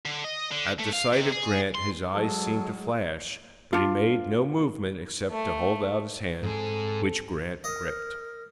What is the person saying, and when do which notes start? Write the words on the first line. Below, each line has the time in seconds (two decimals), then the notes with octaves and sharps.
At the sight of Grant his eyes seemed to flash; but he made no movement except to hold out his hand, which Grant gripped.
0.06 D3
0.25 D#5
0.51 D3
0.80 A3
0.93 F5
1.13 C3
1.32 G#4
1.75 C6
2.13 F#3 G#3 A4
3.73 D4 F4
5.31 A3
6.43 G#2 C4 G#4 A4
7.64 A#4 D#5